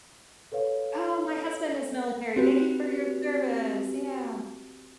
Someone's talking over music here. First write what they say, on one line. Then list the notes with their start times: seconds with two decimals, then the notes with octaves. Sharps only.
Oh, my husband is military. Thank you for your service, yeah.
0.52 A4 B4 C#5 F5
2.36 C4 F#4 G4 B4